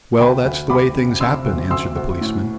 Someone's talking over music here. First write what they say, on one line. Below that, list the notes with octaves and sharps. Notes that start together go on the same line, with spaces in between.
"Well, that's the way things happen," answered the policeman.
D2 G5 B5
D2
D2 B5 D6
C3
C3 C6 E6
D2
D2 C6 E6
D2
A2